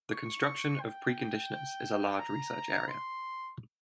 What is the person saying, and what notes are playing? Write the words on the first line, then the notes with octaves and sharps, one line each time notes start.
The construction of preconditioners is a large research area.
C#6
G5
A#5
C6